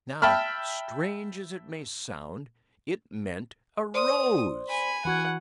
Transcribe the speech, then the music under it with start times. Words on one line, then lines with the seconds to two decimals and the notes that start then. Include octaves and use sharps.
Now--strange as it may sound--it meant a rose!
0.22 E5 G5 A5 B5 F6
3.94 C5 D5 C6 D#6
4.69 G#5 B5
5.05 E3 F#4 F#5 B5 C#6 G#6